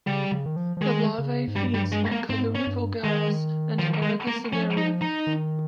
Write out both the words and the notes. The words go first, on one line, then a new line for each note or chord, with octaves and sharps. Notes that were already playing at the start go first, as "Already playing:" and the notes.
The larvae feeds on "Calluna vulgaris" and "Erica cinerea".
C#3 G3
C#3
D#3
F3
F3
D#3 G#3
C#3
G#2
G2 G3
G3
G#3
A#3
G#2 C4
C#4
G2
D#3 G#3
F3
G#3
A#3
F3 C#4
D#4
D#4
D#3